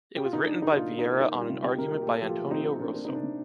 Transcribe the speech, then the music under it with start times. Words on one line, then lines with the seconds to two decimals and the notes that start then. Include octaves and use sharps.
It was written by Viera on an argument by Antonio Rosso.
0.16 G4
0.24 F4
0.33 D#3 D#4
0.47 D#3 D4
0.61 D#3 D#4
0.72 D#4
0.77 A#3 F4
0.91 A#3
0.98 D#4
1.05 A#3
1.20 A#3 D#4
1.35 G3
1.41 F4
1.49 C3
1.63 C3 G4
1.78 C3 A#4
1.92 A#3 A#4
2.02 G4
2.07 A#2 A4
2.22 F3 G4
2.29 F4
2.36 A3
2.51 C4 D#4
2.65 C4 D#4
2.79 C4 D4
2.94 A#3 D4
3.05 C3 D#4
3.15 D4
3.23 C3